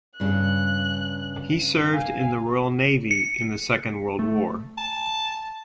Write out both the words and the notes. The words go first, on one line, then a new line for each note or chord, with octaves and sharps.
He served in the Royal Navy in the Second World War.
G2 C#3 F#6
F5 G#5
C#7
A3
A5